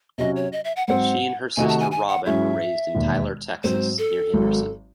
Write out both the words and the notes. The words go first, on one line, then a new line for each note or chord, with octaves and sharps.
She and her sister Robyn were raised in Tyler, Texas, near Henderson.
C3 F#3 C#4 F#4 D#5
C#5
D#5
E5
F#5
G#2 F#3 C4 F#5
C3 D#3 A3 D#4 F#4 G#5
A5
G#5
G#5
F#5
G#2 F#3 C#4 E4 G#4 E5
E1 D#2 D#3
G#2 F#3 C4 C5
A4
G#1 G#2 F#3